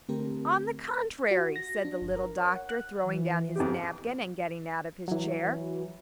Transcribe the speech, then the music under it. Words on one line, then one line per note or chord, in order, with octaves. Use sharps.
"On the contrary," said the little doctor, throwing down his napkin and getting out of his chair.
D3 A3 C4 G4 A#4
F#4
A#6
D4
G1
A#4
C#5
F#5
F#6
E3
F2 B3 G4
E3 F#3